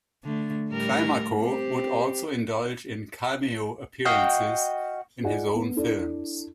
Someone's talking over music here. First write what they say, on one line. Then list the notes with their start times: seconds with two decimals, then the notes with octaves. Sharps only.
Climaco would also indulge in cameo appearances in his own films.
0.25 D3 A3
0.69 A2 G3 A#4
1.40 C4 G4
4.05 F#4 D#5 F5 G5
5.23 F4 G#4 D5 D#5 F#5 G#5
5.54 B3
5.76 D4 E4 A4 D5